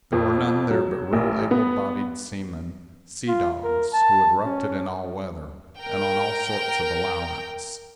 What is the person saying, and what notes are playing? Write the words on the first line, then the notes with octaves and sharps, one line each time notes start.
There were none there but real able-bodied seamen--sea dogs, who had roughed it in all weather, and on all sorts of allowance.
F2
F#3
A1
B3
F4
A#4
A5
C#4
A#4 G5